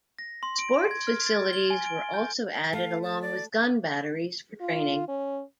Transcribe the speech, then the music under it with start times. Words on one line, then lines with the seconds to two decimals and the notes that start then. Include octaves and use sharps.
Sports facilities were also added along with gun batteries for training.
0.19 A#6
0.43 C6
0.59 D7
0.91 G#6
1.07 F6
1.26 A6
1.53 G7
1.70 G#5
1.86 D7
2.14 G6
2.73 A3 F5
3.03 A5
3.22 D5
4.61 F4
5.08 C#4